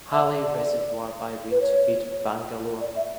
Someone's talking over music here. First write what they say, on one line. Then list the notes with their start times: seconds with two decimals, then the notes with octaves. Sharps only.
Halli reservoir by rain to feed Bangalore.
0.12 E5
0.42 D5
1.51 B4
1.61 C#5
2.81 D5
2.96 E5